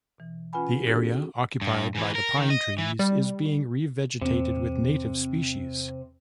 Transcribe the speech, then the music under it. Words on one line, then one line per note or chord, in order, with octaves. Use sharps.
The area occupied by the pine trees is being revegetated with native species.
B2 E3
C#4 F4 B4 F#5 G#5 B5
C4 D4 D#4 F#4 G#4 A4
G2
G#2 E3
A#4
D#3
D#5
E3
G3
E2 C3 C4